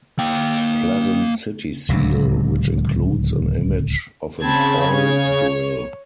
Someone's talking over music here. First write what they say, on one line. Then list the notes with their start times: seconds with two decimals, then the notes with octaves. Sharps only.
Pleasant city seal, which includes an image of an oil drill.
0.19 A#3 G5
1.89 D1 C#2 C3 F#3
4.41 C#3 C4 A5 B5 G#6
4.91 C#5